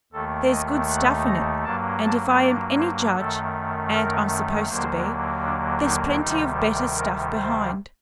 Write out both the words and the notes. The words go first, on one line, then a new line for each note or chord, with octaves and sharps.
There's good stuff in it, and if I am any judge, and I'm supposed to be, there's plenty of better stuff behind.
D#2 D#3 A3 A4
D#5
F#5
A#5
G2 F#3 A#3 A5
A5
D5
C5
F#2 D#3 A3 A4
A#4
D#2 D3 F#3 A#3 C5
D4
D#4
D2 C3 D#3 G3 D#4
A#4
C5